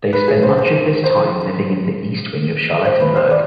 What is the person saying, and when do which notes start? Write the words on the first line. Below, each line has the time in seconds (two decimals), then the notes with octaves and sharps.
They spent much of this time living in the east wing of Charlottenburg.
0.13 B4
0.28 G#4
0.43 C5
0.58 C5
1.04 C5
2.85 C5
3.00 B4
3.16 C5
3.31 D5